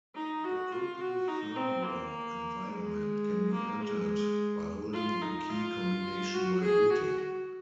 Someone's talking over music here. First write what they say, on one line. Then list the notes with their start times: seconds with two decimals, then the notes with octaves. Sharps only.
The Open Firmware environment can be entered by holding the key combination while booting.
0.15 D#4
0.44 F#4
0.72 F4
1.01 F#4
1.28 D#4
1.56 C4
1.84 A#3
2.68 G#3
3.53 A#3
3.80 G#3
4.93 F4
5.22 D#4
5.49 F4
6.34 F#4
6.61 G#4
6.90 F#4